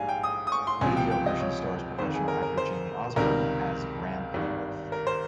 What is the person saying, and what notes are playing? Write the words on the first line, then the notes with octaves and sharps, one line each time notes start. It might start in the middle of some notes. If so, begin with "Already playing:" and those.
The video version stars professional actor Jamie Osborn as Graham Pennyworth.
Already playing: A#1 G#2 G3 F5 G#5
G5
D#6
D#6
C#6
C6
C#2 C3 F3 G#5
G5
G5
D#5
C#5
G1 F2 D#3 C5
G#4
A#4
A#4
C5
C#2 C3 D#3 G3 A#4
G#1 G2 D#3
A#4
C5